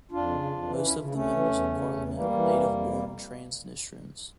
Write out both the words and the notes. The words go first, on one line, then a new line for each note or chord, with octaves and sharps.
Most of the members of parliament are native-born Transnistrians.
F2 D4 F4
C#3
F2
E3
D2 C#4 E4
C#3
D2 A3 C#4
E3
E2
C#3
E2
E3
E3 G3 A#3
E3
F2
F2